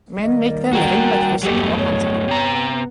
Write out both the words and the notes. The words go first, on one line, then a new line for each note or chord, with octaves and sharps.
Men make their living by fishing or hunting.
D#3 G3 A#3 D#5
F#4 A#4 G5
G1 E2 G2 F#3 A3 G4
C#5
C3 B3 A#5